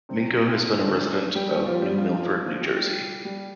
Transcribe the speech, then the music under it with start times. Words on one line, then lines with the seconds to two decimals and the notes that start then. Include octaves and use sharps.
Minko has been a resident of New Milford, New Jersey.
0.09 C3 C4
0.72 D3 D4
1.35 G3 G4
1.51 G3 G4
1.66 F3 F4
1.82 G3 G4
1.98 F3 F4
2.30 F3 F4
2.62 G4
2.75 G3 G4
3.25 G3 G4